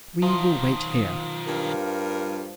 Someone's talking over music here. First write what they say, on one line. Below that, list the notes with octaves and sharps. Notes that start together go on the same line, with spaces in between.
"We will wait here."
B1 D#3 F3
G2 F4 A#4